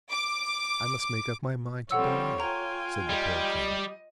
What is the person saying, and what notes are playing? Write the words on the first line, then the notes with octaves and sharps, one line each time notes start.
"I must make up my mind to die," said the poor Queen.
D6
F3 G3 C4 A4 C#5 F#5 E6
F4 G5 G#5 A#5
G3 D#5